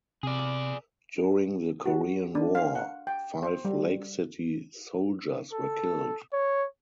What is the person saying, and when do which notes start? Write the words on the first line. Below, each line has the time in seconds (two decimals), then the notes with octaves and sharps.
During the Korean War, five Lake City soldiers were killed.
0.23 C3 G#4 D5
1.86 F#4
2.35 D4
2.55 F5
2.75 F#5
3.07 G5
3.43 C5
3.65 G3
5.53 A4
6.33 C#5